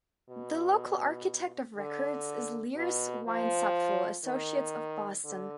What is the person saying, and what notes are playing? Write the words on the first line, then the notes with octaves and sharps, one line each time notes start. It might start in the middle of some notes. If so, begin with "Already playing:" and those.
The local architect of record is Leers Weinzapfel Associates, of Boston.
B2
D3
B2
F3
D#3
D3